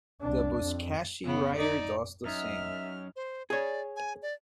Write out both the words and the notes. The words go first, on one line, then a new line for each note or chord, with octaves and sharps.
The Buzkashi rider does the same.
C2 D4
F2
C#3 B3
D#4 D5
F#2 D#4 E5 F6
C5
G#4 C#5 D5
G#5
D5